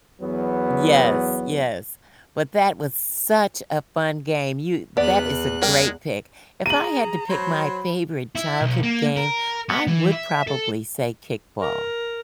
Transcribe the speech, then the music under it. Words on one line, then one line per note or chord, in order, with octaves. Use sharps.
Yes, yes. But that was such a fun game. You that is a great pick. If I had to pick my favorite childhood game, I would probably say kickball.
E2 F#3 B3
E2 B3 D5 F#6
G3 G#3 A#4 G5
G#4 A#5 D#7 F#7
F#3 C5 B5
E4
B1
A#3
A#4
B3
E3
E5
A4
A#4